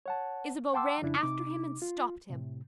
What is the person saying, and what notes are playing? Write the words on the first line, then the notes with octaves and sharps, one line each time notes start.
Isabeau ran after him and stopped him.
C#5 F#5 A5
F#5 G5 A5 C6 D6 E6
F2 C#3 D4 E4
C3 D#4 D6
F4
A2 C3